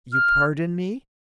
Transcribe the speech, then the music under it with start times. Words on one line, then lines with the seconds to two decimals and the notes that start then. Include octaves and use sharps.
"You pardon me?"
0.13 F6